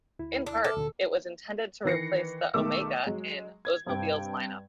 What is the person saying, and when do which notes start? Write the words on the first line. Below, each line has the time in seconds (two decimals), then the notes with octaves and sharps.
In part, it was intended to replace the Omega in Oldsmobile's lineup.
0.19 D2 E4
0.46 D4
0.64 A4 E5 D6 F6
0.76 D2 A#2 D3
1.85 D#3 E3 B4 A#6 C7 C#7
2.54 B1 D#3 G#3 A3 D6 E6
3.06 F#3 G#3
3.65 G#6
3.87 G2 C3 C4 G5 G#6